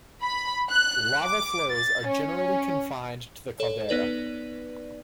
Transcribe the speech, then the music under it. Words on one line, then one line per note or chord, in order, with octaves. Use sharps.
Lava flows are generally confined to the caldera.
B5
F#6
D6
A6
C#4
A4 C#5
B3 D#4 B4 D5